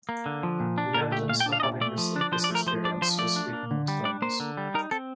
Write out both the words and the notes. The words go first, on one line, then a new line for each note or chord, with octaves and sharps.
The evidence for having received this experience was speaking in tongues.
A#3
D3
F3
A#2
D4
A#2 A#4
A3 G4
A#2 F5
G5
D4
F5
D#5
A#2 D5
A3 D5
F3
D4
D5
F3 C5
D5
A3 A#4
F3 C5
D4 D5
F3 C5
A3 D5
D4
A#3
D3
G3
D4 D5
A#3 C5
D3
G3
D#4 A#4
C4 A4